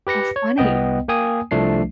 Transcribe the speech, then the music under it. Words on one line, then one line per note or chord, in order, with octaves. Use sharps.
Oh, funny.
G4 B4 A#6 C#7
C#5
C2 B3 D#5 G5
A#3 G5 G#5 D#6
C2 F3 A3 D4 C7